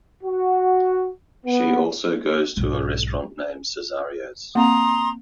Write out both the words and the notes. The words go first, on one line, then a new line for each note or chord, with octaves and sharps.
She also goes to a restaurant named "Cesario's".
F#4
B3
B1 G#2
A#3 C4 F5 A#5 C6 D#6